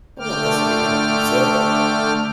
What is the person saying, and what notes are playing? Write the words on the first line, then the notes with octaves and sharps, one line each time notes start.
I'm not a silly young geezer.
D3 A3 G5 D6 F6